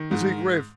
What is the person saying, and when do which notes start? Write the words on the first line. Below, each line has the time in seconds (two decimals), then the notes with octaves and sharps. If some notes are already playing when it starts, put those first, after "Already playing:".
Is he grateful?
Already playing: D#3
0.11 G#2